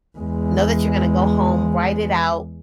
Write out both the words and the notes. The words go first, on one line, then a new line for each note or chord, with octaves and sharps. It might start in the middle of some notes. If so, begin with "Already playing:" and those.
know that you're gonna go home, write it out,
E2 G#3